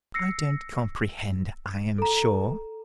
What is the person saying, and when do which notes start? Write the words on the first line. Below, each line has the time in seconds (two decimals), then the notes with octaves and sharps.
"I don't comprehend, I am sure."
0.14 E6 A#6 C7 C#7
1.98 A4 A#5